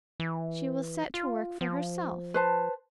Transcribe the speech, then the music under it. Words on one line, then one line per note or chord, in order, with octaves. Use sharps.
She will set to work for herself.
E3
F4
F3
B4 C5 A5